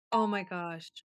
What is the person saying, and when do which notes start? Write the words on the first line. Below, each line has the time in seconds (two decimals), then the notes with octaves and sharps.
Oh my gosh.
0.13 A#5